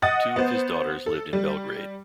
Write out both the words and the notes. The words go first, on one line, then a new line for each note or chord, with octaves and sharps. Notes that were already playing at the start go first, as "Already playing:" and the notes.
Two of his daughters lived in Belgrade.
D#5 F#5 D#6 A6
B3 C5
A4
G3